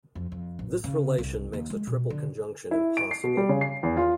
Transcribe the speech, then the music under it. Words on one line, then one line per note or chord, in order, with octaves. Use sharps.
This relation makes a triple conjunction impossible.
F2
F2
A1
C#3
C2
D#2
G#3
B2
D3
E4
D7
C7
B2
G3
C#3
C7
E2
F4